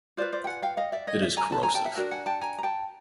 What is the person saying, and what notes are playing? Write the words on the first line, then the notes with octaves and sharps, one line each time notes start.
It is corrosive.
F4 G#4 B4 C5 D5
C5 D5
G5
F#5 G#5
F5 G5
D#5 F5
D5 E5
C#5 D#5
D5 E5
G#5 A#5
A5 B5
G#5 A#5
G5 A5
E5 F#5
D4 F#4 A#4
F#5 G#5
G5 A5
G#5 A#5
A#5
G5 A5